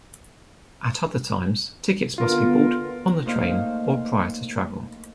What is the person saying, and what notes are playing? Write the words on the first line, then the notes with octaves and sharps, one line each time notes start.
At other times, tickets must be bought on the train or prior to travel.
D3 B3 F4 A#4
A3 A#3 D#4 C5 D5 F5